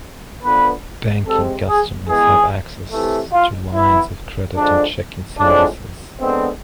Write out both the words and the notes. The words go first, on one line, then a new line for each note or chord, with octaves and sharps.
Banking customers have access to lines of credit and checking services.
D3 F3 B3 B4
C3 G#3 C4 A4
G#4
E3 G#3 B3 G#4
C3 E3 A3
F4
E3 B3 E4
D3 F3 G#3 D4
A2 F3 G#3 C4 D4
D3 G#3 B3 C4